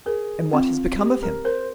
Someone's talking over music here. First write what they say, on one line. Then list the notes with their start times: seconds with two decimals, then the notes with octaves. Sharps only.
"And what has become of him?"
0.06 G#4 A#4
0.52 C4 F4
0.99 G4
1.23 A#4
1.45 A#4 C5